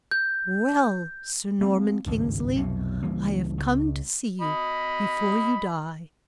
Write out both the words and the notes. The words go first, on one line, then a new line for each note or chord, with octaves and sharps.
"Well, Sir Norman Kingsley, I have come to see you before you die."
G6
A3 C4
G#1 C#2 G2
B1 F2 C3
C#2 E3 G3 A#3
C#2
D#5 B5